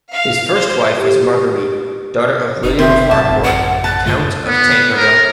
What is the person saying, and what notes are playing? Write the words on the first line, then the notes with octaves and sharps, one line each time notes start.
His first wife was Marguerite, daughter of William of Harcourt, Count of Tancarville.
F5
C5
G4
F#1 C3 D#4
C4 E5
A1 F#2 C#3 A5
F#5
A5 F#6
F#2 C#3 A3 F4
B3
A#4